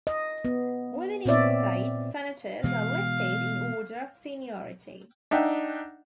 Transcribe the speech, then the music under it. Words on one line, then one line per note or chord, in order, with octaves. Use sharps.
Within each state, senators are listed in order of seniority.
D#5
B3
A#2 B3 C4 C#5 D5 E5
B2 E3 G#3 F5
D4 D#4 E5 F#5 G5